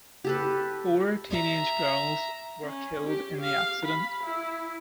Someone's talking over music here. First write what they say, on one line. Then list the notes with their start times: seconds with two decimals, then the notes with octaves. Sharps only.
Four teenage girls were killed in the accident.
0.24 G4 A4 B4
1.30 E5 A#5
2.64 C#4
3.06 G4
3.41 F5
3.85 B5
4.23 E4